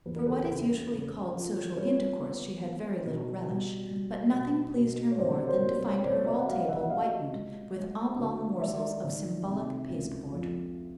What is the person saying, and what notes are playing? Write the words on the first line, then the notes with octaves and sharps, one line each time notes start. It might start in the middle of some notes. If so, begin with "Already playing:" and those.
For what is usually called social intercourse she had very little relish; but nothing pleased her more than to find her hall-table whitened with oblong morsels of symbolic pasteboard.
E2 B4
A#4
A4 B4
C#3
C#3
F3
G3 B4 C#5
B3
B3
B2
G3
G3
B2
B2
C#5
C2 C5 D5
C#5
A#4 C5
C2
B4 C#5
C#5
C2 C5 D5
D5 E5
F#5
F#3 D#5 F5
E5 F#5
F3 D#5 F5
G#3
G#3
D2
G#3 D5 E5
D#3
C3
C#2
F2